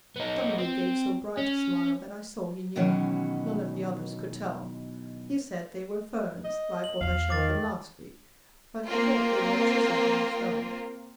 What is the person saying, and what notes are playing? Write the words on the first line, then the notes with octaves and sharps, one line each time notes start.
W. gave so bright a smile that I saw he knew; none of the others could tell; he said they were ferns, like what I showed them last week, but he thought they were chiselled on the stone.
B3 D#4
C4
C#4
B2 D#3 E3 F#3 C#4
D#5
F#7
E2 F5
D#3 D6 A6
A#3 C4 F4